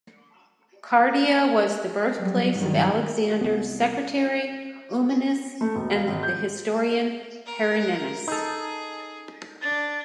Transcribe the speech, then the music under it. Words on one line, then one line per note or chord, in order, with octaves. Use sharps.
Cardia was the birthplace of Alexander's secretary Eumenes and of the historian Hieronymus.
F#3 G3
G2 D#3 F#3 G3
C2 B3
A3
E1
F5
G#1
G6
A#4
D#4 G#4 A4
D4 A6